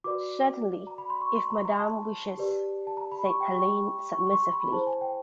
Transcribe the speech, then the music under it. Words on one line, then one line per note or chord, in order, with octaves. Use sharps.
"Certainly, if madame wishes," said Helene submissively.
F#4 B4 D5 D6
A#5
B5
C6
C#6
C6
A#5
A#5
A5
G4 B4 D5
A5
A#5
B5
C#6
G5
C#6
C#6
C#6
C6
B5
E4 G#4 C5 A5
G#5
G5